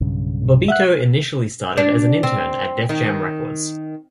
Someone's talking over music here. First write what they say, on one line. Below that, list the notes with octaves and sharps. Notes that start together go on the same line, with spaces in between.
Bobbito initially started as an intern at Def Jam Records.
B1 G2 C#3
E5 F#5 F#6
D4
C4
D#3